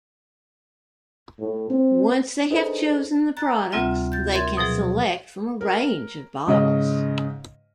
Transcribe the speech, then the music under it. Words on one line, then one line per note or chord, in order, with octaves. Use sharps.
Once they have chosen the products, they can select from a range of bottles.
A2
C4
D4 D#4 G#4 A4 B4 C5
A#5 F#6 A6
D2 C3 G3 C4 F4 E5
G6 A6
A#4 E5 C6 G#6 A6
B2 F3 F#3 G#4
A#4
G#2 C#3 D#5